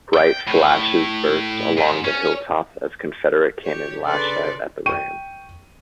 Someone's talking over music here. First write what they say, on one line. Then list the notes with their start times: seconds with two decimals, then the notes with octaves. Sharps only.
Bright flashes burst along the hilltops as Confederate cannon lashed out at the rams.
0.14 G5
0.47 A2
1.77 G#2
2.04 C#4
3.64 G4 C#5
4.02 C#3 D4 A4 B4 D5 C6
4.86 G5 C#6 D#7